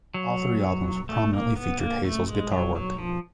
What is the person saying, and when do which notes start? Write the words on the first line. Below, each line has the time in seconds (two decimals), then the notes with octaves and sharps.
All three albums prominently featured Hazel's guitar work.
0.14 F#3
1.09 A3
1.33 A#3
1.56 B3
1.80 A#3
2.05 A3
2.27 G#3
2.52 F#3
2.75 F#3
2.98 F3